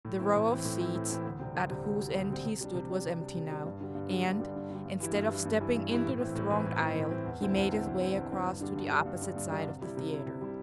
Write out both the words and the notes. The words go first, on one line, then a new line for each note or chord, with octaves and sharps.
The row of seats at whose end he stood was empty now, and, instead of stepping into the thronged aisle, he made his way across to the opposite side of the theatre.
A2
E3 C4 E4
A2
E3 C4 E4
A2
E3 C4 E4
A2
E3 C4 E4
D2
C3 G3 C4
D2
C3 G3 C4
D2
C3 G3 C4
D2
C3 G3 C4
C3
G3 D4
C3
G3 D4
C3
G3 D4
C3
G3 D4
G2
D3 G3
G2
D3 G3
G2
D3 G3
G2
D3 G3
G2
E3 G3 E4
G2
E3 G3 E4
G2
E3 G3 E4
G2
E3 G3 E4
A2
E3 C4 E4
A2
E3 C4 E4
A2
E3 C4 E4
A2
E3 C4 E4
E2
D3 C4 E4
E2
D3 C4 E4
E2
D3 C4 E4
E2
D3 C4 E4
G2
D3 G3 D4
G2
D3 G3 D4
G2
D3 G3 D4
G2
D3 G3 D4
C3
G3 E4
C3
G3 E4
C3
G3 E4